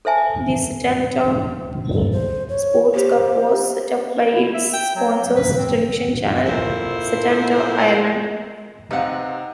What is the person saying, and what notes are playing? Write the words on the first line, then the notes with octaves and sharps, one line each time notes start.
The Setanta Sports Cup was set up by its sponsors, television channel Setanta Ireland.
A4 C5 E5 G#5 A5
A4
C5
C#5
G4 C5
E4
E5
G5
F#3
B4
C4
A#2 E4 A4 C5
C3 C4 D#4 B4 F5 F#5